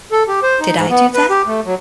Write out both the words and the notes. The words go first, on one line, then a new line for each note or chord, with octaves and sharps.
Did I do that?
A4
G4
C5
D#4
G#2
B3
B4
G4
A3
F#3